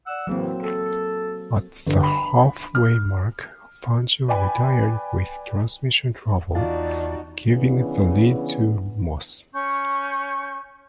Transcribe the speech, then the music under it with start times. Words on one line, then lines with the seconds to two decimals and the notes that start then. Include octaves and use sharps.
At the halfway mark, Fangio retired with transmission trouble, giving the lead to Moss.
0.07 D5 F#5 E6
0.27 A2 C#3 E3 F#3 A#3 C4
0.63 A4
1.87 G1
2.03 B5
2.75 F6
4.28 B4 D5 G5 G#5 B5
6.55 E2 D4 D#4 F4 F#4 D5
7.49 C#3 E3 B3 D4
9.52 C#4 C#6 G6